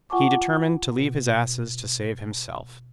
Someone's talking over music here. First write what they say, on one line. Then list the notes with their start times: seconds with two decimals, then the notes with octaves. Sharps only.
He determined to leave his asses to save himself.
0.10 F4 F#5 G#5 A5 C#6 D6
0.96 B2